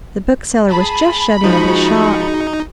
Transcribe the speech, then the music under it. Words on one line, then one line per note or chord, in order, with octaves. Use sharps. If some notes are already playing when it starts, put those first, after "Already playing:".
The bookseller was just shutting up his shop.
G#4 A5 B5
F3 G#3 D#4 F#4 G#4 C#6